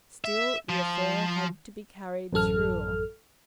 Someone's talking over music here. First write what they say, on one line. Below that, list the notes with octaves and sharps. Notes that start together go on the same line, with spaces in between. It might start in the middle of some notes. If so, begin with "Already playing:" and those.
Still, the affair had to be carried through.
E5
F3
A1 F#2 A4 F6